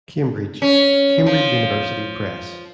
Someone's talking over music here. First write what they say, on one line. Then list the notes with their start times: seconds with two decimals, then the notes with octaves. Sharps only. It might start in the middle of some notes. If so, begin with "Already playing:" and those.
Cambridge: Cambridge University Press.
0.62 C#4
1.27 F3